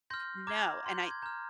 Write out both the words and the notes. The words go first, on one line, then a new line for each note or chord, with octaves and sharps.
No, and I
C6 F6 G6 A#6
A#5 D6 F6 G#6
C6 G6
G#6
A#5 F6 G6